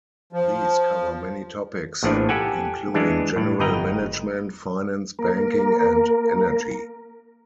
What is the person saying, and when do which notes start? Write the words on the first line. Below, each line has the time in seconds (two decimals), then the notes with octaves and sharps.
These cover many topics including general management, finance, banking and energy.
0.33 F3
2.03 A#1 A2 E3 F3 D4
2.29 G4 A4 F#5 G#5
2.94 E3 G#3 D4
3.36 A2
3.60 G1 B4 D#5 G5 A#5
5.19 A#3 A#4